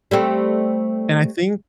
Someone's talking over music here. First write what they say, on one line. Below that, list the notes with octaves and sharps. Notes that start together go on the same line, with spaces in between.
And I think
G3 A3 C4